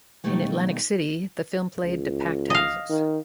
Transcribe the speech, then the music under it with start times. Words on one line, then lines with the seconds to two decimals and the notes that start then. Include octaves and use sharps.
In Atlantic City, the film played to packed houses.
0.24 B2 D#3 F#3 G3 A3 A#3
1.84 C#2
2.50 D#5 F5
2.90 D#3